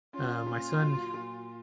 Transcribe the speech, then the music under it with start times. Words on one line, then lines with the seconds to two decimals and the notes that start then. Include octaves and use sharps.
uh, my son
0.13 C#4 F4
0.46 A#2
0.81 F#3
1.14 A#2